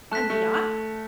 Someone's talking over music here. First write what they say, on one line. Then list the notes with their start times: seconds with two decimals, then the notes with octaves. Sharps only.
"And the yacht."
0.11 A3 A5 F#6 B6
0.30 A3